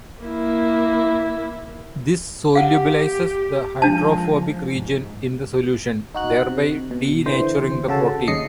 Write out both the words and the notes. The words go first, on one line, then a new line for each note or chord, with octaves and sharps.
This solubilises the hydrophobic region in the solution, thereby denaturing the protein.
A#3 E4
G4 F5 F#5
F3 G#3 D4 A5
G#2
D#4 F#4 F#6
C3
B2
D3 E3 C5
C#3 F#4 A4 A5
D#2 C#3 D#5 C7 C#7